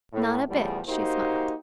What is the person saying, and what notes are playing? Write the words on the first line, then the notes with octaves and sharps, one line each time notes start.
"Not a bit," she smiled.
A2
E2 A2 C#3 F3 G3 B3
A#3 D#4 F#4 G4 C5